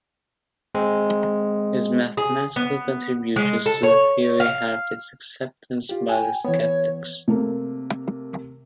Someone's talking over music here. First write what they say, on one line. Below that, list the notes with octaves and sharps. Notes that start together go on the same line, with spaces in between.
His mathematical contributions to the theory helped its acceptance by the skeptics.
G#3 C4
G#4
B3
G#3
A4
C#5
F5
F4 G4
G5 G#5
E3 B3 C#5
C3 A3 A#3